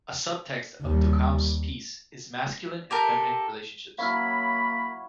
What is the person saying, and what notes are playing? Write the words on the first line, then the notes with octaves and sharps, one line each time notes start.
A subtext of Duchamp's piece is masculine and feminine relationships.
D#2 G3
G4 A4 A#4
F#3 A#3 E4 C#5 F5 B5 F6